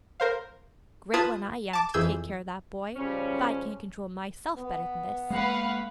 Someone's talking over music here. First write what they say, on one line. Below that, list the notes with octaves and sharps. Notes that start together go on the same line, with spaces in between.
"Great one, I am, to take care of that boy, if I can't control myself better than this!"
A#4 C5 F5
F4 B4 A5 B5 D#6 G#6
A5 D6
F2 E3 G#4 E6 G6 G#6
C#3 F3 G3 C#4
B3
G#3 A#3 B4 F5 F#5